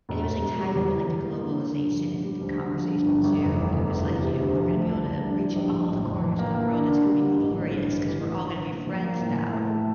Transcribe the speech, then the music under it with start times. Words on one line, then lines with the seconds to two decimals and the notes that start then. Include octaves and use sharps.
And it was, like, tied up in, like, the globalization conversation too, and it was like, you know, "We're gonna be able to reach all the corners of the world, and it's gonna be glorious 'cause we're all gonna be friends now."
0.09 E1
0.25 E1
0.42 G3
0.58 G3
0.75 E2
0.92 E3
1.08 E2
1.24 A#3
1.41 D3
1.58 D3
1.74 G2
1.92 F3
2.07 D3
2.24 G3
2.41 D2
2.57 D3
2.74 F3
2.91 G2
3.06 G1
3.23 G1
3.40 F1
3.56 E3
3.73 E2
3.90 E2
4.06 C3
4.23 C3
4.39 D2
4.56 F3
4.73 A3
4.90 C2
5.06 C2
5.23 D4
5.39 G3
5.56 A#1
5.72 A#1
5.89 A2
6.05 F2
6.22 E3
6.39 A#3
6.55 A#3
6.71 D4
6.88 D3
7.05 G3
7.22 D3
7.38 A1
7.55 A1
7.72 G2
7.88 E3
8.04 E3
8.20 A1
8.37 A1
8.54 G2
8.71 A#3
8.87 F3
9.04 A#3
9.20 A2
9.37 E3
9.53 A3
9.70 A3